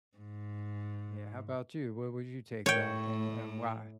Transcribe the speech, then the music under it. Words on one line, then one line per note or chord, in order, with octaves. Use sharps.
Yeah, how about you? What would you take back and and why?
G#2
A2 C#5 G5